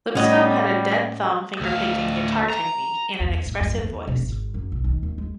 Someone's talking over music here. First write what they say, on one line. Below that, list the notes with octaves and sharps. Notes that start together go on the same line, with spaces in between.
Lipscomb had a "dead-thumb" finger-picking guitar technique and an expressive voice.
A2 G3 C#4 D#5 F#5
D2 F5
A#5
E2
A2
F#2
E2
E1
G#1
F#2
B1
D#3
D#2
G#3